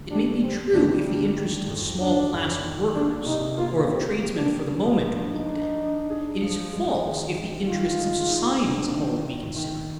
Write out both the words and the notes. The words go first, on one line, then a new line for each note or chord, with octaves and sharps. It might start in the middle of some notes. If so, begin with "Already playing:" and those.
It may be true, if the interests of a small class of workers or of tradesmen for the moment are looked at; it is false, if the interests of society as a whole be considered.
Already playing: D2
G3 D4
G3 C4
D2 D4
G3 D4
D#3
F2
D#3 D4
F2
D#3
A#3 D4
C3 D#4
A#3 F4
G3 C4
A#3
D4
G3
F3 F4
D4
D#4
D4
D4
G#4
F3
G#3
D#3
D#3
D#3 F4
G#3
D#4
D4
D#3
D#3
D#3